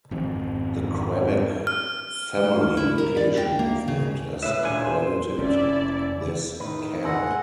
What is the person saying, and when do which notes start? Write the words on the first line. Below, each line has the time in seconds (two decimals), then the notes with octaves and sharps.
The Quebec Family Vacation Movement has accredited this camp.
0.11 G#1 F2
1.67 F6
2.77 E4
2.98 A#4
3.17 D5
3.37 G5
3.59 A#3
3.88 C#3
4.43 A2 B4 E5
4.63 A#2 D4 G#5
4.84 C5
5.39 F1 C#4 E4 D5
6.60 A2 D#3 B4
7.04 G#4 F#5 C6 E6 A#6